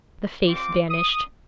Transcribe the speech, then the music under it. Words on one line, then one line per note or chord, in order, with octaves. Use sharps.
The face vanished.
C4 F4 D6
D#6